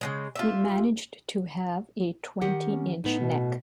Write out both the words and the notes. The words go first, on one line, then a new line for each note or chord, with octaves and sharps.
He managed to have a twenty-inch neck.
C#3 E3 G#3
F4 G4 E5
D#3 G4 F#5
C#4
A2 B3 D#4
B2